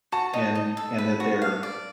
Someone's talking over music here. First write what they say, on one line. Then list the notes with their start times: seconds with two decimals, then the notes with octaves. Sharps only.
and and that they're
0.12 F#4 A5
0.34 D#4
0.55 D#4
0.77 A4
0.98 B4
1.20 F#4
1.42 F5
1.63 D5